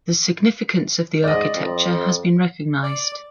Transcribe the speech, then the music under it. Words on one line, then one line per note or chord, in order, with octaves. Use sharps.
The significance of the architecture has been recognized.
G#2 D5 D#5
F2
D5